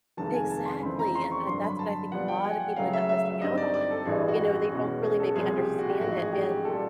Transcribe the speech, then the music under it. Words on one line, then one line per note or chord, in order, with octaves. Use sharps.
Exactly. And, uh, that's what I think a lotta people end up missing out on, you know, they don't really maybe understand it. And
F1 D#2 D#3 G#3 A5
G#5
A5
C6
F2 C#3 E3 A3 C4 B5
A#5
C6
C#6
G2 D3 F#3 C6
B5
A5
A#1 A#2 G3 B3 F#5
G5
G#5
F#5
C#2 C#3 F#3 A3 C#4 F5
E5
E5
E5
G2 D3 G3 C4 D#4 D#5
D5
D5
A4
A1 G2 E3 G3 G#4
F#4
F#4
E2 B2 G#3 C#4 F#4
G#4
A4
C2 A#2 F3 G#4
G4
F#4
G4
A1 G#2 F3 A3 F#4
G#4
G4
G4
A#2 G3 A4